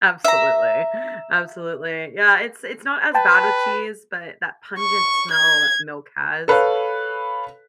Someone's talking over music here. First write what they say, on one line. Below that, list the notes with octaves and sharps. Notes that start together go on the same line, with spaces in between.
absolutely, absolutely. Yeah, it's it's not as bad with cheese, but that pungent smell that milk has,
E5 A#5
B4 G5 A5
C#6
G#6
A4 B4 C#5 F5